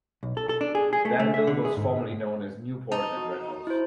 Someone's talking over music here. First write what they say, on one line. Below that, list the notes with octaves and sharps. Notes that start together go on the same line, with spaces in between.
Danville was formerly known as Newport and Red House.
B1
A4
A4
D4
G#4
G#4
A3
A3
E5
D3
G#4
G#2
D#4 A5
F#4
E4 C5